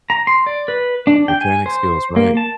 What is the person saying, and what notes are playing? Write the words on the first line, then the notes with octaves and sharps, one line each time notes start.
Mechanic skills, right?
A#5
C6
D5
B4
D4
G5
G#5
C5
A#3
A5